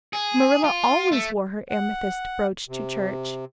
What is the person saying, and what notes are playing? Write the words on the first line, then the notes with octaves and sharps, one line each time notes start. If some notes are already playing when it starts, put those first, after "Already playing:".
Marilla always wore her amethyst brooch to church.
G#4
F4
A3
F#5
C3